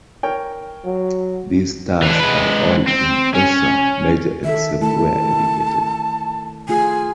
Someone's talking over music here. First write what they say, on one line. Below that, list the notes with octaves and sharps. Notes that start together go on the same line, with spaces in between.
These stars are all in Ursa Major except where indicated.
A#4 C#5 G5
F#3
E3 D4
G#3 B4
C4
C#4
D#3 A4 E5
A3 E4 A5
A3 F4 G#4 G#5